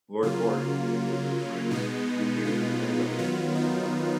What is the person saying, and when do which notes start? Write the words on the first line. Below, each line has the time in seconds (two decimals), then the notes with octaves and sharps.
Lord Gort, who was in France, reputedly learned of it from a newspaper.
0.23 C#3 F#3 A#3 F4
1.71 B2 G#3 B3 D#4
2.45 F4
3.18 D#3 F#3 B3 F4
3.55 D#4